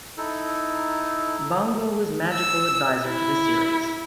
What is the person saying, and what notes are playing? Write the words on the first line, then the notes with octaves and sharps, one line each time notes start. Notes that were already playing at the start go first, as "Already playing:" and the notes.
Bongo was magical adviser to the series.
D#4 E4 A4
E6
E4